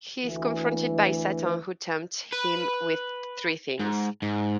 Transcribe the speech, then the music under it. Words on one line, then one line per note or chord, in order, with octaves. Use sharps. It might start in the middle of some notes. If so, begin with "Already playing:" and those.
He is confronted by Satan, who tempts him with three things.
D2 E3
B4
G#2
G#2